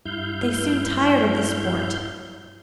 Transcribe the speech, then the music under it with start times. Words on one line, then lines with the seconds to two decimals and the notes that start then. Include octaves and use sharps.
They soon tired of the sport.
0.05 G2 E4 F5 G6